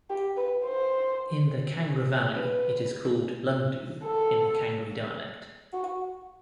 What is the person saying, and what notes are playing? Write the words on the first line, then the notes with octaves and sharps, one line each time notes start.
In the Kangra Valley it is called "lungdu" in the Kangri dialect.
G4
B4
C5
B4
A4
F#4